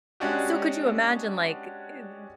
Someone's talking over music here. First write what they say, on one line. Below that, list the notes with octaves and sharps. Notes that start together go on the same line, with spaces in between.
So could you imagine, like, uh,
G#3 C#4 D4 F#4 G4